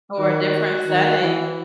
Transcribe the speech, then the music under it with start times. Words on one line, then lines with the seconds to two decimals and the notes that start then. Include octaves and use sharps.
Or a different setting,
0.18 D#3 F#4
0.87 D#3
1.22 E3